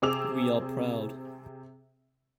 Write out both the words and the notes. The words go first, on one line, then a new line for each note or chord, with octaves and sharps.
We are proud.
C3 C4 G#4 D6 E6 F7